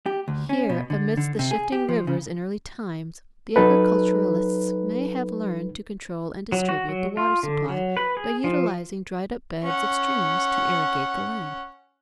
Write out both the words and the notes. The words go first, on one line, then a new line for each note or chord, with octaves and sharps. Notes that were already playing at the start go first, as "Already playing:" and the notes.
Here, amidst the shifting rivers in early times, the agriculturists may have learned to control and distribute the water supply by utilizing dried-up beds of streams to irrigate the land.
G4
D2
C#4
B2
D3
D3
C3
G#4
G4
F3
C#3
F#3 D#4 A4 B4
F#3
F#4
F#3
F4
D3
F#3
B4
G#4
F3
C#4 F#5